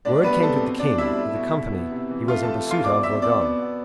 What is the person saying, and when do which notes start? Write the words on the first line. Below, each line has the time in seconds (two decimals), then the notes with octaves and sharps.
Word came to the king that the company he was in pursuit of were gone.
0.05 A2 D4 D5
0.23 G3 B3 B4
0.43 C4 A4
0.60 B2
0.79 B2 D4 D5
0.98 G3 E4 E5
1.17 A3
1.35 B2
1.55 B2
1.73 B3
1.91 C3
2.10 E3
2.28 A3 F4 F5
2.43 A3 A4 A5
2.66 E3 F4 F5
2.84 B2 D5 D6
3.03 C4 E5 E6
3.22 B2 D5 D6
3.41 B3
3.59 B3